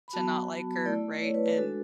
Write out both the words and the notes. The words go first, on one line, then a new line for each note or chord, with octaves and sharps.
to not like her, right, and
B5
F#3 B3 F#4 A5
A3 E4 D5
C#5
B4
B4
G#3 D4 F#4 A4